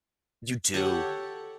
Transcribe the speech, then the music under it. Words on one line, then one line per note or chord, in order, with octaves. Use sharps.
You do.
G4 A4 C#5 F#5